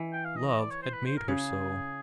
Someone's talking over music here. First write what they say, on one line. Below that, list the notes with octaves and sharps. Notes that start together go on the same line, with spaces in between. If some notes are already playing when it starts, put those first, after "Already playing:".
Love had made her so.
Already playing: E3
G5
F5
D#5
D#5
D5
C#5
C5
B4
C5
A#4
C#3 G#4